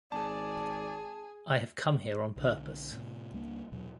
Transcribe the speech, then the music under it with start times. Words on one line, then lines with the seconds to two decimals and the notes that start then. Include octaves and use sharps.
I have come here on purpose.
0.12 G#1 G#4 D5 A5
2.36 B1 D3
2.92 A2 C3
3.33 C#2 G3 A#3 D4
3.72 E2 B2 F#3